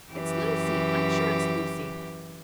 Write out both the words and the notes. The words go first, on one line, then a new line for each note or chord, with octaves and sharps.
It's Lucy--I'm sure it's Lucy!
F#2 E3 G4